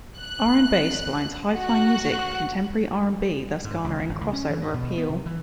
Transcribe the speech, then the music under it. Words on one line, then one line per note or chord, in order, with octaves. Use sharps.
RnBass blends hyphy music with contemporary R and B, thus garnering crossover appeal.
F#6
F#4 F#6
G#2
C#2
D2
G#1
C#2
C#4
E3
G2
B2
B3
C3
E3